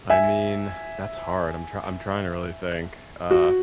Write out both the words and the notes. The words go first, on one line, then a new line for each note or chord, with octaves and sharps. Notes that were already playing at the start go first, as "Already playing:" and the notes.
I mean, that's hard. I'm try I'm trying to really think, uh,
E5 G#5
F#4